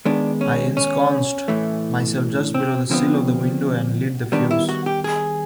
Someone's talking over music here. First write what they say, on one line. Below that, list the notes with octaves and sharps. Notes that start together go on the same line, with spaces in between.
I ensconced myself just below the sill of the window, and lit the fuse.
D#3 G#3 B3 D4
C#4
C#4
A2 E3 A3
C4
D3 F3 G#3 B3 C4
D#3 G3 B3 D4
E4
F#4
G4
G#4